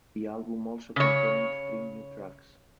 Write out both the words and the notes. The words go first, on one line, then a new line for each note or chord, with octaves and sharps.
The album also contained three new tracks.
C#3 C#5